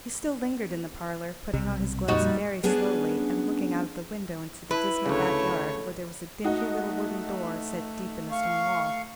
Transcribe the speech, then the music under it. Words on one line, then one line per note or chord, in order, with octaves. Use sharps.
He still lingered in the parlour, putting on his gloves very slowly, and looking out of the window into the dismal backyard, where there was a dingy little wooden door set deep in the stone wall.
B1 C3 G3
F2 A#2 G3 D#4 F#4
G3 B3 C#4 D4 G#4
E4 B4
D2 C#3 A3 C#5
A3 D#4 F#4
F5 C#6